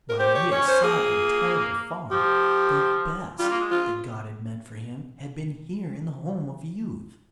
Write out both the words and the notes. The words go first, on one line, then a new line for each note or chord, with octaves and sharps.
While he had sought and toiled afar, the best that God had meant for him had been here in the home of youth.
A#4
G4 C5
C#5
C#4 C#5
C5
A#3 G#4
F3 G4
G3 F4
A#3
G#3
F4